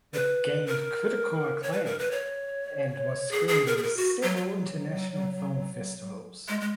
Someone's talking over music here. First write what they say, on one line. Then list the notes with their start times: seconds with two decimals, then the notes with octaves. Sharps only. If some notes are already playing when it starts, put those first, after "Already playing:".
It gained critical acclaim and was screened in several international film festivals.
0.14 B4
0.67 A#4
1.63 C#5
1.72 B4
1.85 A#4
1.99 B4
2.11 C#5
3.31 G#4
3.48 G#4
3.66 A#4
3.77 G#4
3.83 A#4
3.97 F#4
4.23 F#3
4.37 F#3
6.48 G#3
6.61 G#3